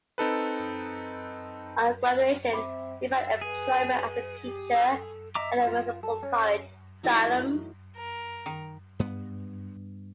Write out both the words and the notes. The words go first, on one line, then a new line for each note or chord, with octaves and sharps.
On graduation, he found employment as a teacher at Municipal College, Salem.
C4 D#4 A4 B4
C4 E5 G5 B5 D6
G#4 B4
G4
A4
D#5 E5 A#5 D6
F4
A4
C#4
E3 F#3 A3 D#4
A#4
D#3
G2 B3